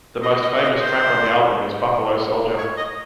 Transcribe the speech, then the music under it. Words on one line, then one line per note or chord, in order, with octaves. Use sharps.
The most famous track on the album is Buffalo Soldier.
D#5
D#5
D#5
C5
C#5
D#5